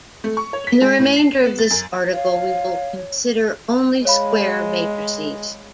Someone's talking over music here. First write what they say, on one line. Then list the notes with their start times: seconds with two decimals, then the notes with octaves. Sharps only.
In the remainder of this article we will consider only square matrices.
0.24 A3
0.37 C#6
0.53 C#5
0.67 B6
0.81 G#3
0.99 A2
1.16 C7
1.32 E7
1.46 B3
1.59 A6
1.70 F#2
2.12 C#5 F5
4.05 G#3 C#5 F5 B5